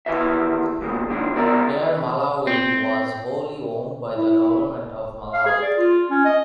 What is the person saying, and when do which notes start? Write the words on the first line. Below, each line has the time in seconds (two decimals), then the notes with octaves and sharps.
Air Malawi was wholly owned by the Government of Malawi.
0.06 D#2 E3 B4 E5
0.82 C2 A#2 G#3
1.10 E2 G#2 D#3 D4
1.34 C2 B2 A#4 D5 E5
2.47 C4
4.15 E4
5.34 F5
5.46 G#4
5.62 D5
5.77 F4
6.10 C#4
6.25 D#5